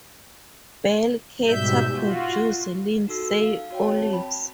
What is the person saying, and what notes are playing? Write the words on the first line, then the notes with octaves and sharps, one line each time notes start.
Bell Carter produces Lindsay Olives.
G#2 B2 G3 E5 G6
F4 F#4
D#4 F#4 A4 E6 C7
F5
F#4 C#5 G5
C4 A5
B5